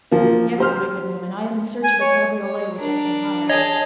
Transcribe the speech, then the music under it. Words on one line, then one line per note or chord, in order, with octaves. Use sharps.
"Yes, my good woman; I am in search of a cabriolet which I can hire."
F3 A#3
G4 C5 F6
G#5
C#5
C#5
D4 A#4
G#4 C#5 D#5 A5 G#6